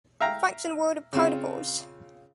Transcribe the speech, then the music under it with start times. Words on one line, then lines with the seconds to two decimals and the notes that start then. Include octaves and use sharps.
Function word of particles.
0.21 E5 F5 G5 A#5
1.13 C#3 C4 F4